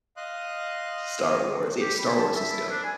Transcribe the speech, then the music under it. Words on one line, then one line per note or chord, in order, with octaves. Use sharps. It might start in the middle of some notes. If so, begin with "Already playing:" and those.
Star Wars, yeah Star Wars is dope.
D#5 F5 C6 D#6 F#6
G4
B5
A5
E5
E4
D4
G#5